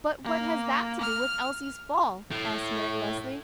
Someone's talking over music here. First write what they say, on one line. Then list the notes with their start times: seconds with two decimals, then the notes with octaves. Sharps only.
"But what has that to do with Elsie's fall?" asked Mary Leslie.
0.24 A#3
1.01 F6
2.31 A2